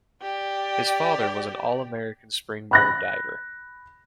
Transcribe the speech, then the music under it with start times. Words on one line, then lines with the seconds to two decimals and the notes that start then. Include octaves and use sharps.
His father was an All-American springboard diver.
0.22 G4 D5
2.71 B5 F#6 A#6